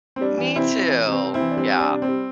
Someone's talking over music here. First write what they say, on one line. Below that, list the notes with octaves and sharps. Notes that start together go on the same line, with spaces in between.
Me too, yeah.
C4
G3 D4
E3
C3 C4 E4
C3
E3
C3
C4
C3
C4 E4
E3
D4
G3 C4
G3
D4
C3
C4
G3